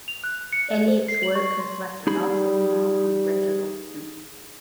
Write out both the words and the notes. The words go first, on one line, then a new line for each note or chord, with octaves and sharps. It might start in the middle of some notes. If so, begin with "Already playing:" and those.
Eliot's work has left a lasting mark on greater Boston.
F7
F#6
C#7
D5
C5
C7
F#7
C#6
C6
G3 D#4 G#4 B5